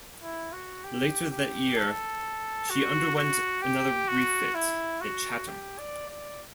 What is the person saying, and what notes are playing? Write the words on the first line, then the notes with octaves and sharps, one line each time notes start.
Later that year, she underwent another refit at Chatham.
E4
F#4
G4
G4
A4
F#4
F#4
G4
F#4
E4
F#4
G4
D5
D5